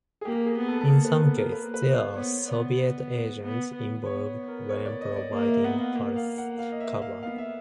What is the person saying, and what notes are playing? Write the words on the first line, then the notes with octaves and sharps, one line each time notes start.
In some cases there were Soviet agents involved when providing false cover.
G#4
A#3 G4
G#4
B3
A4
A4
A#3 A#4
B4
B3 A#4
A#4
A#3 B4
B4
B3
C5
B3 C#5
B3 D5
B3
B3
B3 C#5
A#4
C#5
D5
D#5
C#5
D5
A#3 D#5
E5
B3 F#5
F5
A#3 F#5
F5
F#5
F5
D#5
E5
F5
B3 F5
E5